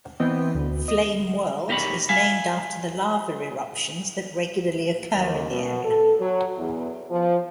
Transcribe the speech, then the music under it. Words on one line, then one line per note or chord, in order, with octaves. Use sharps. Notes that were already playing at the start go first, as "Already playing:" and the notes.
Flame World is named after the lava eruptions that regularly occur in the area.
E3 B3 C4 D#5 G5
D2
D#5
D#4 G4 A#4 C#5 B5
E5 F5 G#5
D#2
B2
A4
F#3
E2
F3